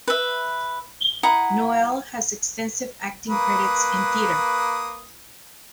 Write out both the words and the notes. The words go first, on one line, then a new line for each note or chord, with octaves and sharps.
Noel has extensive acting credits in theatre.
B4 E5
E4 F#5 A#5 D#6
A#3 B4 D#6